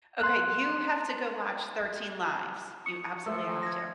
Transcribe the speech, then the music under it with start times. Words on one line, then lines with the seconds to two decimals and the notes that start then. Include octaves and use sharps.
Okay, you have to go watch Thirteen Lives. You absolutely have to.
0.21 C6 F#6
2.86 C#6 D#6 C#7
3.26 F3 A3 E6
3.63 G#6 A#6